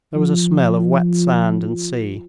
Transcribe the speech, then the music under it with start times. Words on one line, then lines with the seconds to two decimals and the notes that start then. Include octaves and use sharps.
There was a smell of wet sand and sea.
0.16 F3